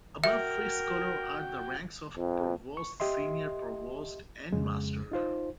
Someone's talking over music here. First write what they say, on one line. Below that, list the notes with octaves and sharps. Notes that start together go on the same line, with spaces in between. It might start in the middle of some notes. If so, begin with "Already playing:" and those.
Above Free Scholar are the ranks of Provost, Senior Provost, and Master.
F#4 A#4 E5 G5
F2
C#6
G4 D#5 E5 C6
F2 C#3 G#3
D#4 F4 C5